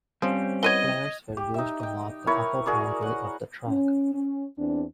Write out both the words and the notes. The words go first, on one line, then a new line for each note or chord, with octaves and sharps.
Flares were used to mark the upper boundary of the track.
F3 G3 C4 C#4
E3 B3 C#5 D#5 G#6 D#7 G7
G4
D#4 E5
D#5 G5
E4 A#4 B4 C#5
F#4 G#4 A#4 D5
C#5 F#5
C#4
C#4
E2 C4 D4